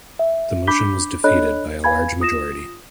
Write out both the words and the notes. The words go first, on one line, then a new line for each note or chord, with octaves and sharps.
The motion was defeated by a large majority.
E5
D4 B5 D6 G6 B6 G7
D4 A4 C#5 D#5 B5 F#6
B4 F5 G#5 B5 G#6
F4 D#6 A#6 E7